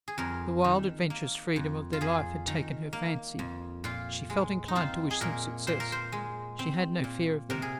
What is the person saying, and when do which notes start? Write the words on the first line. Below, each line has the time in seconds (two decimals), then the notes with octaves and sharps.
The wild adventurous freedom of their life had taken her fancy; she felt inclined to wish them success; she had no fear of them.
0.08 G#4
0.18 F2 A#4
0.64 D#3
1.10 A#3
1.56 F2
1.93 F4
2.01 F2 G#4
2.47 D#3
2.93 A#3
3.39 F2
3.84 A#2 F4
4.30 G#3
4.68 D#4
4.75 C4 F4
5.11 G#4
5.21 A#2 A#4
5.67 A#2 C5
5.80 A#4
5.92 C5
6.12 G#3
6.59 C4
7.04 A#2
7.50 C3 A#4
7.62 G#4